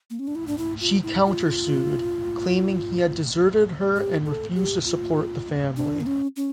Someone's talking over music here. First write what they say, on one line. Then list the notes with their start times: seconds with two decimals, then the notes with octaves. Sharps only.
She countersued, claiming he had deserted her and refused to support the family.
0.10 A#3
0.19 C#4
0.27 D4
0.35 E4
0.47 D4
0.58 E4
0.81 F4
1.03 E4
1.26 F4
3.96 G4
4.26 A4
4.55 G4
4.85 F4
5.76 D4
6.01 A#3
6.06 C#4
6.36 C#4